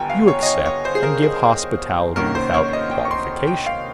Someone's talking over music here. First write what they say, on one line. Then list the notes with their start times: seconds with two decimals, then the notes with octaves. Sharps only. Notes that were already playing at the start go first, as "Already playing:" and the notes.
You accept and give hospitality without qualification.
Already playing: G1 G2 D#3 G3 G5 G#5 A#5
0.10 F5
0.28 C#5
0.43 D#5
0.46 C#5
0.65 C#5
0.85 C5
0.95 G#4
1.03 A#4
1.22 G#4
2.16 F1 D#2 D#3 A#3 C#4 A#4
2.35 C5
2.54 C#5
2.73 D#5
2.91 G5
3.05 C#6
3.11 C6
3.47 G5
3.66 F5